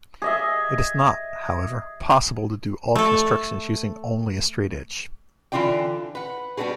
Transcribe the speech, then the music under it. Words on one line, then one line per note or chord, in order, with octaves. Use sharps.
It is not, however, possible to do all constructions using only a straightedge.
G#4 D#5 E5
A3 A4
D3 E3 D4 F4 D5 G5
B4 F#5
G3 B3 D4 F#4 G#4